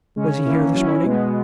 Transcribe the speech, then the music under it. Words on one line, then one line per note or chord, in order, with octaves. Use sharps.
'Was he here this morning?'
C#3 G#3 C#4
E3 A#3 C#4 E4
F#3 C#4 E4
B2 G#3 B3